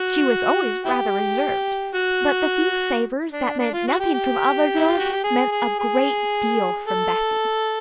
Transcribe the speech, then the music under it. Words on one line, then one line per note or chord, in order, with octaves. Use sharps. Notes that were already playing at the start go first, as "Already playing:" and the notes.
She was always rather reserved, but the few favours that meant nothing from other girls meant a great deal from Bessy.
Already playing: F#4
E4 G4
F#4
D4
D4
F4
F#4
G4
G4
E4
F4
F#4
G4
G#4
G#4
G#4
A4